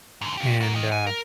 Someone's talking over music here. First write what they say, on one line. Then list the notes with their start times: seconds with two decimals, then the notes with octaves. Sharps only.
And, uh.
0.21 G#2 D3
0.37 F4 G4
0.61 F#4 A#4
0.75 G4 D#5
0.92 G#5
1.07 A#4